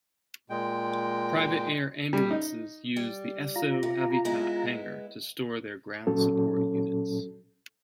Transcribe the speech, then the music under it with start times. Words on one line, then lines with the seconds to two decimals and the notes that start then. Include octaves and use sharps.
Private air ambulances used the Esso Avitat hangar to store their ground support units.
0.50 A#2 G#3 G5
2.13 G3
2.31 D#4
2.96 G3
3.56 F4 A#5
3.83 C3
4.25 G#3 B3 E4
6.07 A#2 F#3 C#4 A4